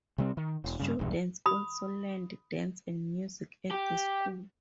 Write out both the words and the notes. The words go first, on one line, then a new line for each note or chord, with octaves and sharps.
Students also learned dance and music at the school.
C3 G3 C4
D#3
E1
G2 C#3
D#1 B1 E2 G2
B5 D#6
G4